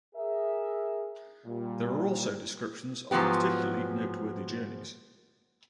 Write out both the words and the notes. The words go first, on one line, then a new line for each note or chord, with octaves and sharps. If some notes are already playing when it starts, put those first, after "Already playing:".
There are also descriptions of particularly noteworthy journeys.
G#4 A#4 E5
A#2 G3
G#2 F3 F#3 B3 G4